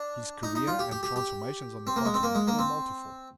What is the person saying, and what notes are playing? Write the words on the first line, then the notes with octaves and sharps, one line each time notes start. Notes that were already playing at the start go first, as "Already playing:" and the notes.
His career and transformations on the Continent were multiform.
Already playing: D4
D#4
D#4
F4
G4
G4
G4
G4
C4
A#3
G#3
C4
A#3
G#3
A#3
C4